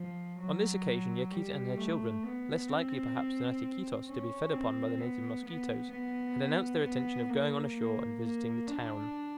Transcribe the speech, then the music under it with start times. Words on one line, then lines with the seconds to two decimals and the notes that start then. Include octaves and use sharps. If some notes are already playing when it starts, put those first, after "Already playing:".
On this occasion Yaquita and her children, less likely, perhaps, than at Iquitos to be fed upon by the native mosquitoes, had announced their intention of going on ashore and visiting the town.
Already playing: F3
0.40 F#3
1.31 G3
1.77 A3
2.23 B3
2.69 C4
4.07 C#4
4.53 C4
4.99 B3
5.46 B3
5.92 B3
6.83 B3
7.29 A#3
7.76 A#3
8.21 A#3
8.67 D4